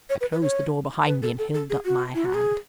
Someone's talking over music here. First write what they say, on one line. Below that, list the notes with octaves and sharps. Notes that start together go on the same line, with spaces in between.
I closed the door behind me and held up my hand.
C#5
B4
B4
C#5
B4
A4
A4
A4
G#4
F#4
E4
F#4
G#4